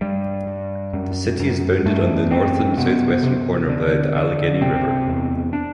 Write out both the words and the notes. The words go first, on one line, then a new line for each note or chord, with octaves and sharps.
The city is bounded on the north and southwestern corner by the Allegheny River.
G2 G3
G2
F#2
F#2
F#2 A3
F#2 C4
C3 B3
C3
D3
D3
C3 C4
E2
D4